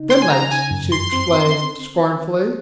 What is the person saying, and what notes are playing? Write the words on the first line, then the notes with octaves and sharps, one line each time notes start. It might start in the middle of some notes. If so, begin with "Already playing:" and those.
"Stim'lates," she explained scornfully.
Already playing: C#3 D#4
C6
G#5
C#3 A#5
G#5
F#2
C6
C4